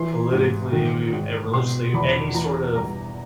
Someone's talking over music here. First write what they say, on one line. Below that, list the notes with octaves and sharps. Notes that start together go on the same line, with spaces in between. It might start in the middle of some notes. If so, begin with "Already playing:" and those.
politically, and religiously, any sort of v
Already playing: E3 C6
G#2
D#3
G#2
B2 C6
E2 B5
E3 A#5
G2 A#5